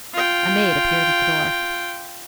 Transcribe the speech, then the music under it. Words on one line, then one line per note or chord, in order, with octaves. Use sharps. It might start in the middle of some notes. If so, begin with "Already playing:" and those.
A maid appeared at the door.
F4 G5